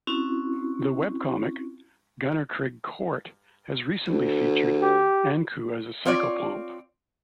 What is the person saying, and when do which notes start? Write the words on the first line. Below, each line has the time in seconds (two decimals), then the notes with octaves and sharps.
The webcomic "Gunnerkrigg Court" has recently featured Ankou as a psychopomp.
0.07 C4 C#4 E4 F#4
4.09 D2
4.82 G4
6.05 C4 F4 C#5 D5